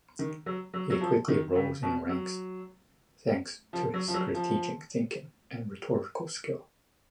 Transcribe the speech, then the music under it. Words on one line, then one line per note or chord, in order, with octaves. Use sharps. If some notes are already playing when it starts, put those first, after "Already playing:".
He quickly rose in ranks thanks to his strategic thinking and rhetorical skill.
D#3
F#3
F#3
F#3
F3
D#3
C#3
B2
F#3
F3
F#3
F3
F#3
F3